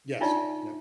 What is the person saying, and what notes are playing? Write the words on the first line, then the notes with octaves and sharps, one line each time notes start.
Yes. Yep.
D4 D#4 F4 C#5 D5 E5